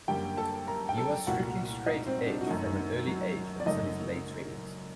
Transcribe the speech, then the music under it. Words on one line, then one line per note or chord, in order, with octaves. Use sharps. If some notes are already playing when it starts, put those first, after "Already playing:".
He was strictly Straight Edge from an early age until his late twenties.
F#2 D3 G3 A#3 G4 G5
A4 A5
A#4 A#5
G5
A4 A5
C2 A#2 A3 F#4 F#5
D#4 D#5
C4 C5
D4
F#4
F#2 D#3 A3 D#4
F#3 F#4
D5
F#1 F#2 F#3 A3 D#4 D#5